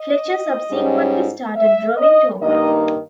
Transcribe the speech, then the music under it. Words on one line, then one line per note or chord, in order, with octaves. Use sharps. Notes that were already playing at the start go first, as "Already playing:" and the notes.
Fletcher subsequently started drawing Torkan.
Already playing: D#5
G#2 G3 C#4
E5
D#5
G2 D#3 A#3 D#4 D#5